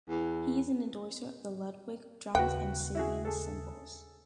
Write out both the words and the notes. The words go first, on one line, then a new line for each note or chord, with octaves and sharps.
He is an endorser of Ludwig Drums and Sabian cymbals.
E2
D#2 C#3 F#4 B4 F#5 G5
E4 F#4 G#4
G#4 A4